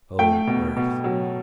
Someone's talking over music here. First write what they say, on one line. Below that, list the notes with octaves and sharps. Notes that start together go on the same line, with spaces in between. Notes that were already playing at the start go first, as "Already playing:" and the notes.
Oh, earth!
A3 G5
B2
B2
F#3